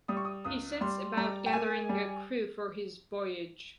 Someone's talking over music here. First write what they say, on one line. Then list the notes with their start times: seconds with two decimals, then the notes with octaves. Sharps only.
He sets about gathering a crew for his voyage.
0.08 G3 D#6
0.17 C#6
0.25 D#6
0.45 C#2 D#6
0.81 G3 C6
1.17 G3 A#5
1.46 G5
1.53 A#3 G#5
1.89 G3